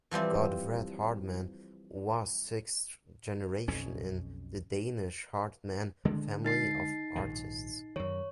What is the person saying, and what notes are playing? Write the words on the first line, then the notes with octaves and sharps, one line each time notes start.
Godfred Hartmann was sixth generation in the Danish Hartmann family of artists.
E3 F3 G3 C4
B1 F2 B2 C#4
D3 G#3 D4
D#4 A6 C7
A#1 G#2 D#3
F#2 D#3 C#5